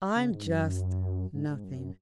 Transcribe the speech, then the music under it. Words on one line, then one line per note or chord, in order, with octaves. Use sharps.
"I'm just nothing."
C#3
G#2
F#2
G#2
G#2
F#2